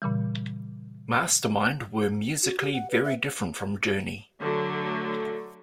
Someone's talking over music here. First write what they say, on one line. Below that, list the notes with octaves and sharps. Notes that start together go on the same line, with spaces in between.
Mastermind were musically very different from Journey.
A#2 C#3 E3 G3
F#4
G4
F#5
B4
E5
D3 F#3 A3